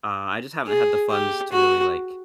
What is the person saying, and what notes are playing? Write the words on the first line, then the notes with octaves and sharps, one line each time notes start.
uh, I just haven't had the funds to really, like
G#4
G4
F#4